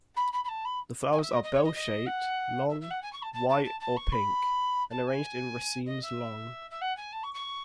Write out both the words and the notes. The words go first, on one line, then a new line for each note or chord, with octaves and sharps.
The flowers are bell-shaped, long, white or pink, and arranged in racemes long.
B5
B5
B5
A5
B5
G#5
D#5
E5
D#5
D#5
C#5
D#5
D#5
F#5
E5
E5
F#5
G#5
C#6
A5
A5
A5
A5
A5
C#6
B5
A5
G#5
D#5
E5
E5
F#5
G#5
A5
C#6
C#6